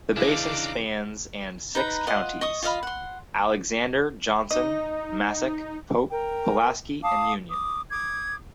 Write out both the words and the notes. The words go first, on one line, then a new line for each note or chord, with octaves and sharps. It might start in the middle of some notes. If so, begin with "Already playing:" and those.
The basin spans and six counties: Alexander, Johnson, Massac, Pope, Pulaski and Union.
C#3 E3 D4 D#4 F5 D6
D#4 B4 A#5
F4 D#5 F#5 C6
D#5 C#6 D#6
F4 D#5 F5 B5
F#5 C6
D#4 D#5
A#4 G5
F5 A5 D6 D#6
D6 D#6
D6 D#6 G#6